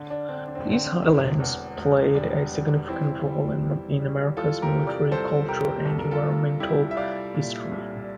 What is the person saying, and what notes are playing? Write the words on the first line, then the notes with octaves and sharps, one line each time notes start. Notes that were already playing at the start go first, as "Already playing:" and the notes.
These highlands played a significant role in America's military, cultural and environmental history.
Already playing: D3
D4
D3 C4
D4
C4
D3
C4
E1
E2
E1
G3 D4
G3
E3 C4 E4
G3
G3
G3
E3 F4 A4
G4 A#4
C3
A#4 D5
C2 A4 C5
C3 G4 A#4
C2 A4
A#4
F4 A4
C2
G3 E4 G4
E5
G3 D5 F5
A#2
C2